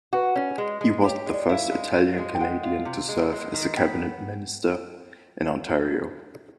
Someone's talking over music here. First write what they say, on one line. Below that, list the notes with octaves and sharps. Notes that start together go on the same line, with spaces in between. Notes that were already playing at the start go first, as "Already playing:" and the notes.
He was the first Italian-Canadian to serve as a cabinet minister in Ontario.
F#4 B4
C#4
G#3
G#3
G4 C#5
G#3
D5
E4 F5
G#3
F4
G#3
G5
G#3 F#5
F4
C3
G#3
G#3
D#3
B3 G5